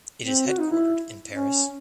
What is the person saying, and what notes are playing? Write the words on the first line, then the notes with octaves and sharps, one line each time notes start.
It is headquartered in Paris.
C4
F#4
D#4
E4
C#4